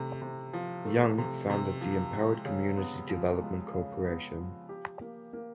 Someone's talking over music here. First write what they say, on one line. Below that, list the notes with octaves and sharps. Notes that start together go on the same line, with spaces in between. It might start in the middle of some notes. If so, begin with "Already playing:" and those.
Young founded the Empowered Community Development Corporation.
Already playing: C3 A3
C3
F3
A3
C3
C3
F3
G#3
C#3
B3
F3
G#3
C#3
B3
F3
G4
A#3
A#3